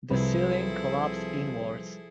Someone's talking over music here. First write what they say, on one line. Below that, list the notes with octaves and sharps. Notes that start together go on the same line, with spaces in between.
The ceiling collapsed inwards.
C2 F3 G3 E4 G#4 A4 B4